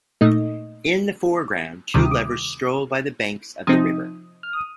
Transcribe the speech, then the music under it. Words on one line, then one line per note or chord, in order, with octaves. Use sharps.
In the foreground, two lovers stroll by the banks of the river.
A#2 A3 D#4 D#5
D2 C3 D#3 G3 D6
D#6
D6
C3 F3 C4 D#4 D#6
F6
D#6